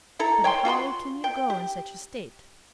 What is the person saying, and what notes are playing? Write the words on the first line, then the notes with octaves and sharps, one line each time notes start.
But how can you go in such a state?
E4 A4 A#5
C#5 G5 G#5 C6
F4 F#4 B5 C6
G5
G4